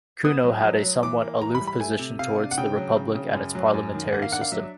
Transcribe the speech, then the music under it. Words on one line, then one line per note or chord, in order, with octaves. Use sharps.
Cuno had a somewhat aloof position towards the republic and its parliamentary system.
B3 D#6
F#3
F#3
F#3
E3 D6
A#3
E3 A#5
B5
G3
B5
A3 G#5
C3
C3 F5
D4
F#5
C#3 G5
F#3
C#3
C#3
F#2
F#3
F#2
D#3
A#3 F#5
F5
D4 F#5
F5
F#3 E5